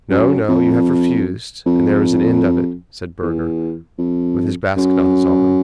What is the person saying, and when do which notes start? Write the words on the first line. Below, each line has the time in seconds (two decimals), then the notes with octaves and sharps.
"No, no; you have refused, and there is an end of it," said Burger, with his basket on his arm.
0.10 F#2
0.48 F2
1.66 F2
3.22 E2
3.98 F2
4.77 F#2